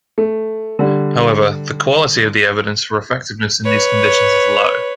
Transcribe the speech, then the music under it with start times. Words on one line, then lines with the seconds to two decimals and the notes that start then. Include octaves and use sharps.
However, the quality of the evidence for effectiveness in these conditions is low.
0.18 A3
0.79 D3 G3
3.64 B4 C#5